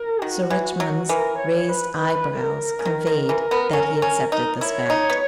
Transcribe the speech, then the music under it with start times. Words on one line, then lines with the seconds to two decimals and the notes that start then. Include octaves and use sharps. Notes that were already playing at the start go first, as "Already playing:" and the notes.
Sir Richmond's raised eyebrows conveyed that he accepted this fact.
Already playing: A#4
0.22 D#3 F#4
0.50 E3
0.65 F#4
0.80 F#3
1.09 E3 A#4
1.39 C#5
1.68 B4
1.98 B4
2.42 A#4
2.79 C#3
2.85 D#3
3.07 D#3
3.29 E3
3.51 B3
3.73 C#4
4.02 C#4
4.32 D#4
4.61 E4 C#5
4.90 D#4
5.10 B3